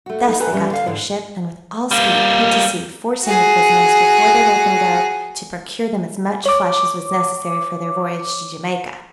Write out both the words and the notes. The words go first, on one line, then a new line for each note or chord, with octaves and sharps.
Thus they got to their ship, and with all speed put to sea, forcing the prisoners, before they let them go, to procure them as much flesh as was necessary for their voyage to Jamaica.
A3 F#4
D#4 D#5
C4 A4 B4 G#5 A#5
E3 G3 A3 C#4
D3 F5
G#2 D3
G3 A#3
F#4 G#4
C#5 D6